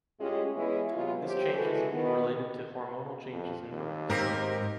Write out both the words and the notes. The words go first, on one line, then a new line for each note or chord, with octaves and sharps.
This changes related to hormonal changes in birds.
A2 G#3 C#4 F4 G4 G#4
E3 G#3 B3 C#4 E4
E2 C3 F#3 G#3 B3 F4
F#3 G4 C5
E3 G#3 E4 F#4 G#4 A4
D#3 B3
F2
D#2
G#2 C4 D#4 G4 A#4